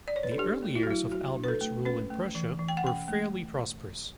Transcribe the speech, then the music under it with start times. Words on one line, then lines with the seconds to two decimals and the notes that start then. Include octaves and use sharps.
The early years of Albert's rule in Prussia were fairly prosperous.
0.08 D5
0.16 C#5
0.23 B4
0.31 A4
0.38 D4 G4
0.63 A3
0.75 E4
0.83 F#4
0.87 F#3 E4
1.12 F#3 F#4
1.36 D4
1.44 B4
1.48 A4
1.61 A3
1.85 C#4 B4
2.10 A3
2.35 E3
2.59 E3
2.68 G5
2.77 F#5
2.84 C#4 G5
3.08 A3